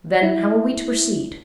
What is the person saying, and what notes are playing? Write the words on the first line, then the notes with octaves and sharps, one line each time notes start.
"Then how are we to proceed?"
E4